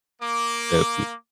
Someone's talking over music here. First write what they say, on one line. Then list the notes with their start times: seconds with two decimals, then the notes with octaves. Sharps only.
That'd be
0.22 A#3 D6